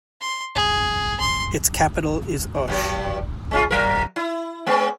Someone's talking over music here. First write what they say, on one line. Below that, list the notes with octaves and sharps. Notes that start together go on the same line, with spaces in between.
Its capital is Osh.
C6
G#4
C6
G2 F#3 G4
G#3 C#4 F4
F#3 A#4
E4
G#3 B3 C#4